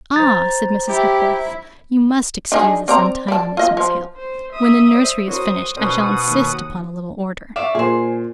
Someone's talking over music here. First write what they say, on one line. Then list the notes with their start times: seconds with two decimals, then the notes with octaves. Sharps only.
'Ah!' said Mrs. Hepworth, 'you must excuse this untidiness, Miss Hale. When the nursery is finished, I shall insist upon a little order.
0.16 C5 A#5 A6
0.89 E4 G4
2.52 D4 D#4 G#4
2.88 C4 D5 A#5
3.28 D5 A5
3.57 F4 D#5
3.77 F3
4.17 C5
4.52 E5 D#6
4.95 C5
5.28 F#4 A#4 C5 C#5 D#6
5.77 B2 C#4 A#4 C5 F#5 D#6
6.26 D#2 A#3
7.56 D5 E5 F5 C#6
7.75 A#2 G#4 C5